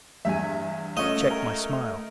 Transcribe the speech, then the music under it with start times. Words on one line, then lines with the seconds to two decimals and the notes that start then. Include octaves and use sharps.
I checked my smile.
0.25 E2 G2 E5 G#5
0.97 A3 C#4 F4 D#5
1.30 A#4